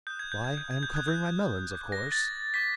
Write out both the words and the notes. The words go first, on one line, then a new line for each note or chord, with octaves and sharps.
"Why, I am covering my melons, of course!"
D#6 F#6 G6
G#6
G6
G#6
G6
G#6
G6
D#6
F#6 G#6
G6
D6 G6
A#6
A6
D6 G6 B6